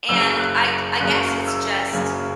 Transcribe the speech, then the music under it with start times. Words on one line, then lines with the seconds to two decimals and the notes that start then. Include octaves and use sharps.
and I I guess it's just
0.09 F#1 F#2 C#3 E6
0.39 F#6
1.01 F#1 F#2 C#3 F#6
1.47 E6
1.93 F#1 F#2 C#3 G#5